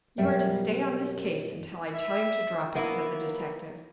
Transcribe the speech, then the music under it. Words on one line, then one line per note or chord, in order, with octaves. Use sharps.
"You are to stay on this case until I tell you to drop it," said the detective.
F#2 B2 G3 D5 E5 G5
E5
F#3 A#3 B3 E4